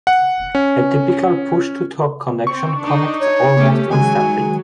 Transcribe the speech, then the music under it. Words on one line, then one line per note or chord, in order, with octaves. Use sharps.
A typical push-to-talk connection connects almost instantly.
F#5
C#4
C4 C#6
D4 D#4
C#5
A3 B3 C#4 G4
D#3 F#3 G#3 G#4 G#5